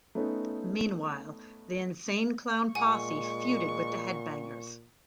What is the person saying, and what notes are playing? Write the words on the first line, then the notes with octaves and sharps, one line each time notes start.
Meanwhile, the Insane Clown Posse feuded with The Headbangers.
A3 B3 C#4 D#4
A#2 G#3 F#5 G#5 C#6